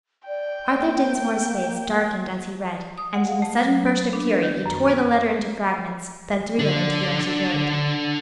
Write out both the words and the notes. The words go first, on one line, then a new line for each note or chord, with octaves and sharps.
Arthur Dinsmore's face darkened as he read, and in a sudden burst of fury he tore the letter into fragments, then threw them into the empty grate.
D5 G5
A#3
D#6
F#5
F5
A3
F#3
B3
D4
B4
D#3
F#2
B3
D3 D4